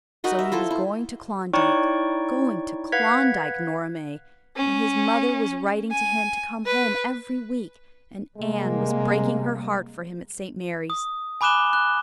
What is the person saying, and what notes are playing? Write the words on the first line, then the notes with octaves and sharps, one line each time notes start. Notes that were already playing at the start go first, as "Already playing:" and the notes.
So he was going to Klondike--going to Klondike, Nora May, when his mother was writing to him to come home every week and Anne was breaking her heart for him at St. Mary's.
D#4 F#4 A#4 B4
E5
E4 F4 A4 C5
E4
D#4 E4 C#5 D5 G5 C#6
B4 F5 F#5 G#6 B6
C#4
G#5
B4
C3 G3 G#3 A#3
D#6
G#5 B5 D6 F#6 E7 G7
F#6